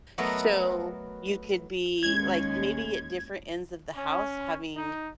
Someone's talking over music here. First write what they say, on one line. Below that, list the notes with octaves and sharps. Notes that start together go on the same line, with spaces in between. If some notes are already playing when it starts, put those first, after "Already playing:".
So, you could be like maybe at different ends of the house, having
F#3 A3 B3 A#4 D#5
D#2 G#3 C#4 G#6
C#4
D#4